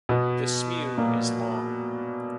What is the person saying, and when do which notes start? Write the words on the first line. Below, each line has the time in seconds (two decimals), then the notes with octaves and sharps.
The smew is long.
0.09 B2 B3
0.97 A#2 A#3